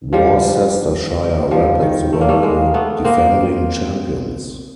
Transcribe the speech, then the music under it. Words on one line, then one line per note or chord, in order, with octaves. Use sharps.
Worcestershire Rapids were the defending champions.
F3 G3
F3 G3
D#3
A3
A#3
G3 A3
G#3 A#3
A3 B3
A#3 C4